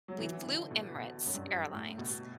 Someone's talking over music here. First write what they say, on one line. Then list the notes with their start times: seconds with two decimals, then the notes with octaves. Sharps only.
we flew Emirates Airlines,
0.08 F#3
0.19 E3
0.45 D3
0.71 B2
0.95 B2
1.25 F#2
1.33 G2
1.73 A2
1.98 B2